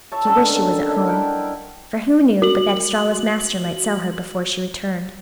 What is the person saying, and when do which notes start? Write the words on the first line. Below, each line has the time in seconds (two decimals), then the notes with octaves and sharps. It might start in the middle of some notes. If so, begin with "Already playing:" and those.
She wished she was at home, for who knew but that Estralla's master might sell her before she returned.
0.12 C#5 E5 A5
0.25 D3 D#3 C#4 A4
0.89 D4 E4 D#5
1.06 A#4 F#5 G5 B5
2.42 F#4 F#7